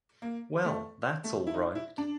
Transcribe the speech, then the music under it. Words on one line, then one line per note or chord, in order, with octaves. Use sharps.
Well that’s all right.
A#3
A3
A3
E4
D#4
E4
D4